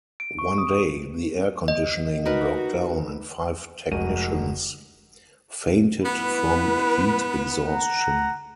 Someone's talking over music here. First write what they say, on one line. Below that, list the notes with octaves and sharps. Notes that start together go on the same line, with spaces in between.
One day, the air conditioning broke down and five technicians fainted from heat exhaustion.
D7
C#6
D#6
D#5
D#4 F#4 A#4 B4
F1 G#3 F#4 A#4 F#5 D#7
B3 E4 B4
F#5 A#5